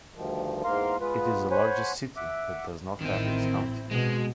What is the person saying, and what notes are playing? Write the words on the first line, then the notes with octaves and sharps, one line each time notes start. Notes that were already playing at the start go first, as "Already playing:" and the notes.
It is the largest city that does not have its county.
D2 G2 D#3 F3
E2 G#2 A#3 A#4 F5 C6
G#3 B3 F4 B4
C5 C#5 F#5 G#5 B5
E5 F#5 D6
A1 D#3 C4 D#4 E4
B2 G#3